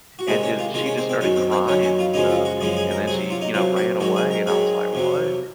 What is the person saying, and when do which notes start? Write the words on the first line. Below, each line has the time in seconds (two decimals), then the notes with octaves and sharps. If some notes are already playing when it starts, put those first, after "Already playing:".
and ju she just started crying and stuff, and then she, you know, ran away, and I was like, "What?"
0.19 F#4
0.28 C3 D#3 G#3 G#4
0.43 C#4
0.59 F4
0.74 C3 D#3 G#3 F4
0.86 C#4
0.97 C4
1.09 C4
1.21 F#2 D#3 F#3 C#4
1.36 C4
1.52 C4
1.67 F#2 D#3 F#3 C#4
1.83 C#4
1.99 F4
2.14 F#2 C#3 F3 G#3 D#4
2.30 F4
2.45 F#4
2.61 F#2 C#3 F3 G#3 G#4
2.77 G#4
2.91 A#4
3.07 C3 G#4
3.11 F#3
3.30 F4
3.41 D#4
3.54 C3 F#3 F4
3.76 F#4
4.00 G#2 D#3 F#3 F#4
4.16 G#4
4.31 A#4
4.47 G#2 D#3 F#3 G#4
4.93 F2 C3 F#3